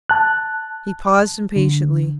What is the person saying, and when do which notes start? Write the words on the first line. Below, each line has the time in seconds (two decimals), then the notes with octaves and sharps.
He paused impatiently.
0.10 A5 F#6
1.56 D3